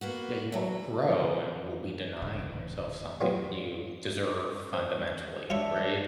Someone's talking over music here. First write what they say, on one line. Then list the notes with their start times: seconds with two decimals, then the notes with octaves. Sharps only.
Yeah, you won't grow, and you will be denying yourself something that you deserve, fundamentally, right?
0.01 A#3 B3 F#4
0.52 E2 F#3
1.08 F3 F4 A#4
2.22 D1 A#2 C#3
3.21 A2 F#3 B3 D4 F4 G4
4.74 C5
5.50 D4 F4 C#5 E5